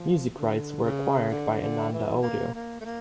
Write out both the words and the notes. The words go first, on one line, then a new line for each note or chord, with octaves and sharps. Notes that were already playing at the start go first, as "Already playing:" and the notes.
Music rights were acquired by Ananda Audio.
Already playing: F3
D3
C#3
D3
D3
E3
A#3
A#3
A3
A#3